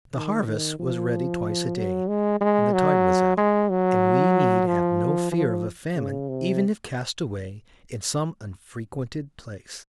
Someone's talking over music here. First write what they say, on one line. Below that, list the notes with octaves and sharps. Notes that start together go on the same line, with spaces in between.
The harvest was ready twice a day, when the tide was out, and we need have no fear of a famine even if cast away in some unfrequented place.
D#3
D#3
F3
F#3
G#3
G#3
F#3
G#3
F#3
F3
F3
C#3
C3